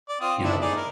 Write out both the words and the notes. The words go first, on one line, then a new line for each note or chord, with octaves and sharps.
you know
D5
C4 F4 D#6
D4 E4
D#4 G#4 D5
A#4